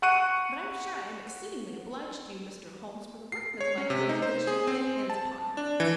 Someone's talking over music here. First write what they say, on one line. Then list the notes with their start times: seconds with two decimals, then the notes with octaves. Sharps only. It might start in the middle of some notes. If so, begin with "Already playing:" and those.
But I'm sure I am exceedingly obliged to you, Mr. Holmes, for the workmanlike way in which you laid hands upon him.
0.02 F#5 C#6 F#6 C#7 D#7
3.32 C7
3.61 C#5
3.78 C#4
3.90 C3
4.09 D#4
4.22 C5
4.47 G#4
4.67 C4
5.10 A5
5.57 D4
5.80 E3